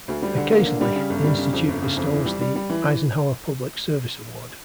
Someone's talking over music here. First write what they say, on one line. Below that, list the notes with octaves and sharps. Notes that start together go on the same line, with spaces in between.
Occasionally, the institute bestows the Eisenhower Public Service Award.
D2
G3
D3
A#3
D3
G3
C#3
G1
G3
C#3
F2
G1
C#3
F2
E3
G3
G3
G3
E3
E3